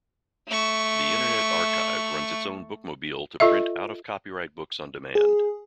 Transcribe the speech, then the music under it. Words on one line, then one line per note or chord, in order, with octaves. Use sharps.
The Internet Archive runs its own bookmobile to print out-of-copyright books on demand.
A3 C#6
F4 A4 D#5 E5
G#4